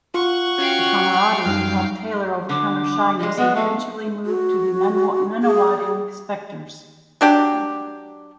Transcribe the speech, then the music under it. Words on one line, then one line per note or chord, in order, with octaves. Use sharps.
The camaraderie helped Taylor overcome her shyness, and eventually move to the Nunawading Spectres.
F4 F#5 C#6
C#4 F#4 F5 G5
F#2 G3 D#4 F6 C7
D3 D6
G3 G#3 D#5
G#3 B3 F#4
A3 F5
F#4
G#4
F#3 D4 G4